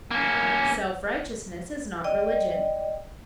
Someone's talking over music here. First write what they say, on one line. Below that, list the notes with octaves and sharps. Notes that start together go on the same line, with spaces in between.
Self-righteousness is not religion.
A#3 C#4
D5 D#5 G5